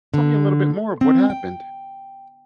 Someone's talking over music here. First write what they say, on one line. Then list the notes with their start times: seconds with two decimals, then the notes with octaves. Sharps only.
tell me a little bit more of what happened.
0.14 D3
1.01 C4
1.30 G5